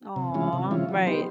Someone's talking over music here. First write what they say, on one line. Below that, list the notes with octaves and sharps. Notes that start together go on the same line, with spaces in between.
Aw! Right.
C3
E3 G#3 C#4 F4
C3
E3 G#3 C#4 F4
F#3
B3 D#4 G4 C5